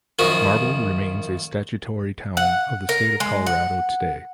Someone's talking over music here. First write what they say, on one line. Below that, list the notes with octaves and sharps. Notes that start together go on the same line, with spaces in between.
Marble remains a statutory town of the State of Colorado today.
F#2 D#3 F3 F#4
F#5
A#4
G#3
F#5